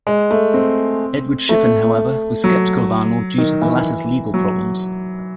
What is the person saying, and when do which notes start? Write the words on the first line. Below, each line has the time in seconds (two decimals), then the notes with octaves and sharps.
Edward Shippen, however, was skeptical of Arnold due to the latter's legal problems.
0.07 G#3
0.31 A3
0.54 C4
1.49 A3
2.44 F#3
3.38 D#3
3.62 E3
4.34 F#3